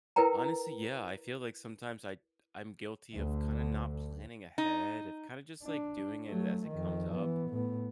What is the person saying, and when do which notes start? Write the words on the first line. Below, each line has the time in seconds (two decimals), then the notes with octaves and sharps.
Honestly, yeah, I feel like sometimes I I'm guilty of kinda not planning ahead, of kinda just, like, doing it as it comes up.
0.16 E4 A#4 B4 G5 A#5
3.16 D2 D3
4.58 D#4
5.64 D4
6.26 F#3 A3
6.68 F2 D#3
7.13 E3 B3
7.50 A2 B3